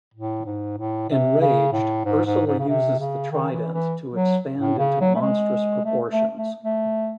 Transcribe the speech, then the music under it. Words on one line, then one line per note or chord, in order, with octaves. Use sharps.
Enraged, Ursula uses the trident to expand into monstrous proportions.
A2
G#2
A2
C3
C#3
A2
G#2
G#2
G#2
C#3
C3
C#3
D#3
E3
E3
F#3
A2
C#3
F#3
A3
G#3
A3
A3
A3
A3